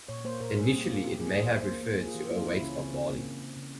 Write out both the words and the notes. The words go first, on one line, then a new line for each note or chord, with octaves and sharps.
Initially, it may have referred to a weight of barley.
A#2 C#5
A#3 C5
A#2 A#4
G3 G#4
A#3 G4
A#3 F4
A#2 G4
A#3 G#4
E3 C5
A#3
C5
A#3
A#3
A#3 G#4
F4
E3 G4
A#3 F4
E3 E4
C#3 C#4
C#3 C4
C#3 C4
C#3 A#3
C#3
C#3
C#3